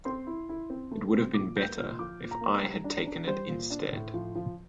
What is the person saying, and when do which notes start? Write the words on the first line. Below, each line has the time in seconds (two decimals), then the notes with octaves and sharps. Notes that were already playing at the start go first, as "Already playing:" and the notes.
It would have been better if I had taken it instead!
0.05 C4 C6
0.27 E4
0.49 E4
0.70 C4
0.92 A3
1.13 C4
1.34 A#2 D6
1.56 A#3 G6
1.77 A#2 F6
1.91 C6
1.99 F3 D6
2.21 A#2
2.31 A#5
2.41 A#3
2.63 G3
2.84 D4
3.07 D4
3.27 G3 C5
3.49 A#2
3.70 D4
3.92 A2
4.14 F3
4.35 F3